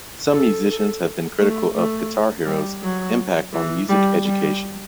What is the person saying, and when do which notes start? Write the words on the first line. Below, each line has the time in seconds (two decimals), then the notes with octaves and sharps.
Some musicians have been critical of "Guitar Hero"'s impact on music education.
0.33 A4
0.69 A4
1.39 A3
1.75 A3
2.46 G3
2.83 F#3
3.54 E3
3.89 G3
4.24 G3